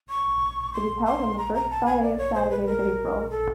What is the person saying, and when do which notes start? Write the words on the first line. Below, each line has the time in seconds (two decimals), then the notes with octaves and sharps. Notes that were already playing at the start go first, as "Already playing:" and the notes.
It is held on the first Friday and Saturday of April.
0.09 C#6
0.73 C6
1.05 C6
1.38 A#5
1.55 A#5
1.71 A5
1.86 G#5
2.02 D5
2.18 C#5
2.35 C5
2.50 B4
2.66 A#4
3.30 A4